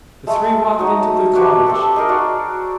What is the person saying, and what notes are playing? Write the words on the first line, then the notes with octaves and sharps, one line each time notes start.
The three walked into the cottage.
G#3 A3
F#3 D#4
D4 F#4 G4 B4
C4 G4 A4
D#4 G#4 A#4 D#5
F#4 D5